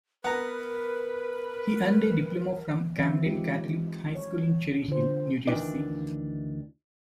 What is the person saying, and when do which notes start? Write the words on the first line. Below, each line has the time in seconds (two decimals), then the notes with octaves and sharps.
He earned a diploma from Camden Catholic High School in Cherry Hill, New Jersey.
0.24 B3 A#4 B4 F#5 A#5
2.99 E3 F#3 C4 E5
3.26 G#3 D#4 F4 G4
4.15 C#5
4.88 D3 F4 C5
5.47 D2 D#3 E3 D4 D5